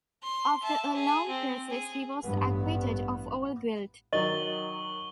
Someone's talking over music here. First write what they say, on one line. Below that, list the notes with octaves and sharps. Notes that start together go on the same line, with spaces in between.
After a long process he was acquitted of all guilt.
C6
E5 A5
G#4
C4
G#4
A1 G2 B3
D#3 F#3 D#5 C#6 F#7 G7